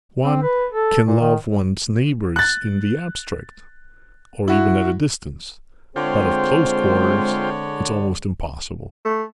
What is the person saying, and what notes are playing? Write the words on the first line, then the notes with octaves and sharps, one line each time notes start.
One can love one's neighbors in the abstract, or even at a distance, but at close quarters it's almost impossible.
C4
B4
A4
A#2
D#3
F#6 A6
E4 F#4
D3 G#3 C4 F4 C5 C#5 G5
A3